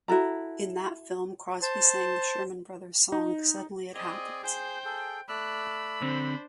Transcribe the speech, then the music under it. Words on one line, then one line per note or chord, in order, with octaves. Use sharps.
In that film, Crosbie sang the Sherman Brothers' song, "Suddenly It Happens".
E4 F#4 A4 A#5
C5 A5
D#4
C4 G#4 D5 D#5
G#4 C5 G5 G6
G#4 A4
A3 D5 B5 E6 F#6
D3 C4 D4 C5